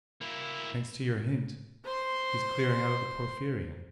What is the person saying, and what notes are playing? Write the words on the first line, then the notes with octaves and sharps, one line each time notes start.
"Thanks to your hint, he's clearing out of the Porphyrion."
A#3 E4
C5 C6